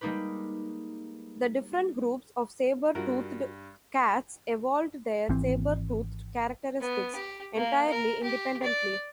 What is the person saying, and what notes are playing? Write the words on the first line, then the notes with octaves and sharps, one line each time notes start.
The different groups of saber-toothed cats evolved their saber-toothed characteristics entirely independently.
G3 G#3 A#3 D#4 G4 B4
G2 F4 F#4 A#4
G#1 E3 C4
B3
G4
A#3
A#4
G4
D5